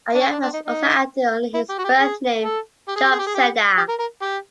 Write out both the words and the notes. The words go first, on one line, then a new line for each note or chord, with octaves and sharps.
Ayub has also acted under his birth name, Job Seda.
D4
C#4
D4
D4
D#4
D#4
E4
G4
F#4
G4
G#4
A4
G4
G#4
G4
G#4
G4
G#4
G4
G4
A#4
A#4
G4